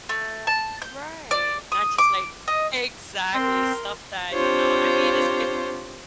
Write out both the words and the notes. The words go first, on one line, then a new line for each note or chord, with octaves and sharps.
Right. Not just, like Exactly, stuff that, you know I mean, it's it
A3
A5
G6
D5
D#6
D6
D#5
C4 A#4 C6
C4 D4 F4 G4 C5 C#5